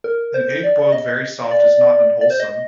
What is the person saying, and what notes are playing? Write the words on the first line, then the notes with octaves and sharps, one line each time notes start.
An egg boiled very soft is not unwholesome.
A#4
C5
D5
D#5
D5
D5
C5
D#5